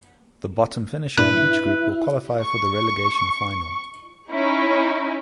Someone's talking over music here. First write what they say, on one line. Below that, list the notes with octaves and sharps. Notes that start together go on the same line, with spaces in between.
The bottom finisher in each group will qualify for the Relegation Final.
G2 A#2 D4 E4 B4 F#6
C#6
C#4 D#4 E4